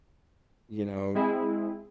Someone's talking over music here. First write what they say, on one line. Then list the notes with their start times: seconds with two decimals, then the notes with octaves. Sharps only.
you know
1.15 G#3 C4 E4 G#4